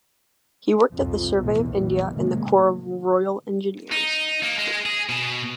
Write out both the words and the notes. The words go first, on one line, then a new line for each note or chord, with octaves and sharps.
He worked at the Survey of India and the Corps of Royal Engineers.
C2 F2
B1 E2 A2 E3
A#1 E3 G3
A2 C3 D#3 G#3 A#3
D#4
A#3
G#3
G#4
B2